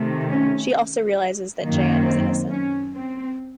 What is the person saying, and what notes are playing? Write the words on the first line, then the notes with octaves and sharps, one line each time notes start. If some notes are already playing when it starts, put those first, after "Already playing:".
She also realizes that Jayan is innocent.
Already playing: C3 D#3 A3
C#4
F#2 D#3 A#3
C4
C#4
C4